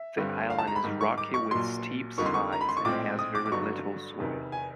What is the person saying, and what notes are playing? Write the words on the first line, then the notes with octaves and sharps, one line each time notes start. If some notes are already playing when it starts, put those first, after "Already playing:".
The island is rocky with steep sides and has very little soil.
Already playing: E5
G2 D3 G3 C4
F5
A5
A#5
B5
G#2 D#3 G3
C#6
D6
C#6
A#1 A#2 F#3 C6
F2 D3 G3 A#3 D#4 C#6
C6
C#6
A#5
B5
C6
C#6
A#1 A2 F3 G#3 C4 D6
D#6
D6
D6
G1 G2 D3 F#3 C#6
F1 E2 C3 D#3
G#5